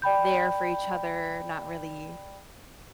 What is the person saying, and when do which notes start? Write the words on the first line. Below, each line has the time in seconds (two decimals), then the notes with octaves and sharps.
there for each other, not really
0.02 D5 G5 B5 G6